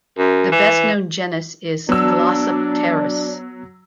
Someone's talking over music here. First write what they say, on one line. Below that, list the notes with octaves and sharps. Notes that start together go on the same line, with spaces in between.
The best known genus is "Glossopteris".
F#2
E3
F#3 B3 D4 F#4 E6